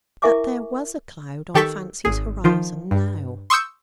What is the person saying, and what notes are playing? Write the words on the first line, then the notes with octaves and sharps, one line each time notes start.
But there was a cloud on Fancy's horizon now.
E4 A#4 E5 G#5 C#6 D6
D#3 G4 A4 C#6 B6
G#1 G#4
D#3 F3 F4
G2
C6 C#6 D#6 E6 G6 C#7